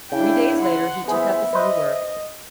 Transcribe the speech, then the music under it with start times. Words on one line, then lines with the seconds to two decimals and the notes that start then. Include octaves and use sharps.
Three days later he took up his new work.
0.12 C#3 D4 E4 G5
0.59 F#5 C6
1.08 E3 B3 G#4 C5 E5
1.53 B4 C5 D#5